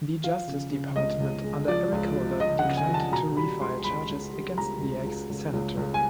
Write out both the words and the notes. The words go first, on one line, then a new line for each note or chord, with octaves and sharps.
The Justice Department under Eric Holder declined to refile charges against the ex-Senator.
F3 F5
C#3
C#3
C#2 D#5
C#2
G#3
F3 D5
C#2
F3
F3 D#5
F#5
C#3
G#5
F3
A5
B2 A#5
G3 B5
C#2 C6
C#2 B5
C#2
G3
C#2 A#5
C#2
C#2
C#2
C#2
C#2
G#5